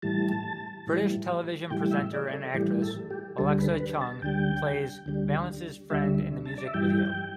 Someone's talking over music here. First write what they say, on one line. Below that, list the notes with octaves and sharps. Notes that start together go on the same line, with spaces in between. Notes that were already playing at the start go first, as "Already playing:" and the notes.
British television presenter and actress Alexa Chung plays Valance's friend in the music video.
A2 E3 G3 A5
A2 E3 G3
A2 E3 G3 G5
E5
D5
A4
A2 E3 G3 G4
A4
G4
D2 D3 G3 A4
B4
B4
A5
D2 D3 G3 G5
D2 D3 G3
D2 D3 G3 E5
A5
D5
E5
G2 E3 G3 G5